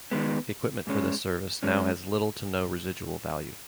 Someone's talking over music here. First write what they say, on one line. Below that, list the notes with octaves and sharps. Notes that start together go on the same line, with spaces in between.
Equipment for this service now has little to no residual value.
D#3 G#3 B3
G#2 G#3 C#4
G#2 G#3 C#4